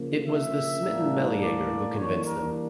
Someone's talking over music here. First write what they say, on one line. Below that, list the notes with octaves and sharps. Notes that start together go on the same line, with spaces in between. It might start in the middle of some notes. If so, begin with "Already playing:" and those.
It was the smitten Meleager who convinced them.
Already playing: C#3 F3 A#3
E5
A2 E3 G3 A#3 D4
D5
E3 G3 A#3 D4 C#5
A#4